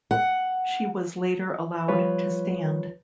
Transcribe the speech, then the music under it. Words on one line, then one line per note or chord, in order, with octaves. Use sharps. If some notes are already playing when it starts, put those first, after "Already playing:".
She was later allowed to stand.
F#5
F3 G3 F4 B4 C#5